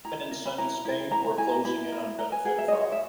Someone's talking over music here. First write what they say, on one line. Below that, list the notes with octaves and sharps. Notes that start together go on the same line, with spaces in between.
Even in sunny Spain, we're closing in on benefit fraud.
E4 A#5
A#4
B5
E4 A#5
E4
E4 A#5
A#5
E4 G#5
A#5
E4 B5
A#4
B4 A#5
G#5
G#4 F#5
E5
D#5
D#4 C#5
E5